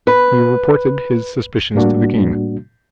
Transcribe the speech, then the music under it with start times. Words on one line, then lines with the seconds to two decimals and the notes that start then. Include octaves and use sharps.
He reported his suspicions to the king.
0.07 B4
1.75 A2 G3 A#3 D4 F#4